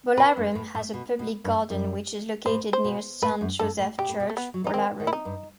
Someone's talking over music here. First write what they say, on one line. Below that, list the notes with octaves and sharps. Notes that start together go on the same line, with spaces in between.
Bolarum has a Public Garden which is located near Saint Joseph Church, Bolarum.
B2 B4
G2
A2
A2
B2
B2
G2
F#2
A2 C5
C5
B2
A2 B4
F#2
G2 A4
A2
B2 G4
A2
B2
A3
B3
F#3
E3 D#4
D#3 C4
D#3
E4
D#4
G2